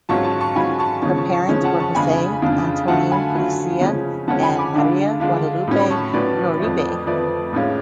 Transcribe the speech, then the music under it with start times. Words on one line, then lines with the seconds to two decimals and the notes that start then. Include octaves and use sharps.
Her parents were Jose Antonio Garcia and Maria Guadalupe Uribe.
0.09 G#2 F#3 C#4 F4 A5 C#6
0.24 A5 C#6
0.41 A5 C#6
0.56 G#2 F#3 C#4 F4 G#5 B5
0.79 A5 C#6
1.02 C#3 F3 G#3 C#4 A5 C#6
1.17 A5 C#6
1.33 A5 C#6
1.49 C#3 F3 G#3 C#4
1.64 F#5 A5
1.80 A5 C#6
1.95 F2 C#3 G#3 D4 F4 G#5 B5
2.42 F2 C#3 G#3 D4 F4
2.88 D3 F#3 A3 F4 F#5 A5
3.11 G#5 B5
3.34 D3 F#3 A3 F4
3.81 C#3 F3 G#3 C#4
4.28 C#3 F3 G#3 C#4 F#5 A5
4.43 G#5 B5
4.58 B5 D6
4.74 D3 G#3 D4 F4
5.20 D3 G#3 D4 F4
5.67 A2 F#3 C#4
5.79 B5
5.90 A5 C#6
6.13 A2 F#3 C#4 B4 D5
6.60 F2 F3 A3
7.06 F2 F3 A3 B4 D5
7.53 A2 G#3 C#4 F4